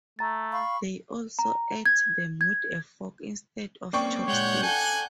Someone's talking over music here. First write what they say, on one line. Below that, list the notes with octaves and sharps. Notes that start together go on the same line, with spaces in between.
They also ate them with a fork instead of chopsticks.
A3 A#5 A6
F5 B5 C#6
A#5
G#6
G#6
A#3 C4 C#4 D5 G5 C#6
A#2 G#3 C#5 F#5 F#6 G6
A4 G#5